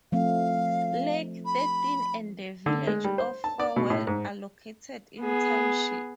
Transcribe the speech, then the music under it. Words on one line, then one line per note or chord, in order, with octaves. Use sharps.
Lake Thirteen and the village of Farwell are located in the township.
F3 A3 C4 F5
B5
D3
G#3
G3
C5
A5
D5
B2
A2
G#2
B3 G#4